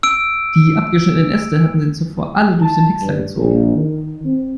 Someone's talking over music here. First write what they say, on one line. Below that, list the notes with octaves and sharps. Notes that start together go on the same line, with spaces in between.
Die abgeschnittenen Äste hatten sie zuvor alle durch den Häcksler gezogen.
E6 D7
A5
G2
A#1
D#3
C4